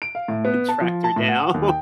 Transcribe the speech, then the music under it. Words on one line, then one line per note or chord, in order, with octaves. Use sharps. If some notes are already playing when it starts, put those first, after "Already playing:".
tracked her down
D7
F5
A2
B3
A5
F3
A5
A2
F#5
D#2
G5